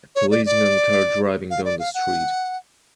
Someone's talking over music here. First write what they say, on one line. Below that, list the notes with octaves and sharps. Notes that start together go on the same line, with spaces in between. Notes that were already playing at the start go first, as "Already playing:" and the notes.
The policeman car driving down the street.
C#5
D5
D5
F5
D5
F5
F#5